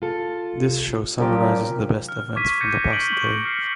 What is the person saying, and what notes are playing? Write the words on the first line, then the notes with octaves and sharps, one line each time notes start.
This show summarizes the best events from the past day.
F4 A4
A#2 F3 F#3 C#4 G4 A#4
F6
C#6 D6 G#6 B6 D#7
G6 G#6 A#6 C#7 D#7
C#6 D7 D#7 F#7 G7
C#6 F#7
F6 C7 C#7